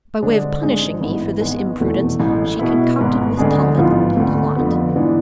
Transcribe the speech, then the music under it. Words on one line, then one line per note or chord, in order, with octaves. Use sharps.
By way of punishing me for this imprudence, she concocted with Talbot a plot.
D3 G#3 D4 G#4 C5
G#1 G#2 G#3 D4 G#4
A1 G#2 G#3 B3 E4
G#1 G#2 G#3 B3
F1 E2 B2 A3
A1 A2 G#3
B2 B3 E4
G#1 G#2 G#3 B3
D2 D3 G#3 D4 G#4
A1 G#2 F3 B3 F4
D2 D3 A3
F2 D3 F3 B3
G#2 E3 B3 D4